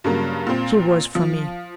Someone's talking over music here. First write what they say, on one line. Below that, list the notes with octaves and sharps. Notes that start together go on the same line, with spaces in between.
She was for me.
G2 C#3 F#3 A#3
A#2 C4
F3